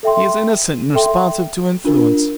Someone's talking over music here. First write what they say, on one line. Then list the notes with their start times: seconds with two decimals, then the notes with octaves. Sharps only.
He is innocent and responsive to influence.
0.03 A4 E5 G5 C6
0.94 A4 E5 G5 C6
1.84 D4 F4 A#4